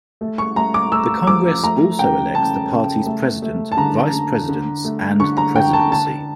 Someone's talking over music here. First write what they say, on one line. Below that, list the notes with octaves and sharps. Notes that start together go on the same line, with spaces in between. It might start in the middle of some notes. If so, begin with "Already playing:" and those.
The Congress also elects the party's President, Vice Presidents and the "Presidency".
A3
C#6
A3 A#5
D6
A3 E6
F3 D6
A3 A#5
C#3 G5
C#3 A5
C#3
A3
A3
A5
D3 A#5
D3
D3
A3
D3 C#6
A#5
D3 G5
A5
D3 A5